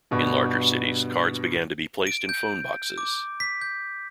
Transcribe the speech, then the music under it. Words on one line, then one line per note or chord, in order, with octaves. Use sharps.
In larger cities, cards began to be placed in phone boxes.
G2 B2
D7
G6
D6
B6
G6